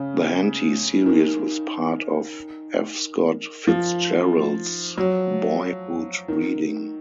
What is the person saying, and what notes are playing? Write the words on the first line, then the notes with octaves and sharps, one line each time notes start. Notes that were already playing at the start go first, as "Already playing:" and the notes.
The Henty series was part of F. Scott Fitzgerald's boyhood reading.
Already playing: C#3
D#3
F3
F#3
D#3